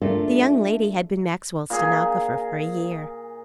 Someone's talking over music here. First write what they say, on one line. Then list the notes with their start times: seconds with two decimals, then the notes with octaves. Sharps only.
The young lady had been Maxwell's stenographer for a year.
0.01 A3 D4 F4 A4 A#4
1.70 A#2 G#4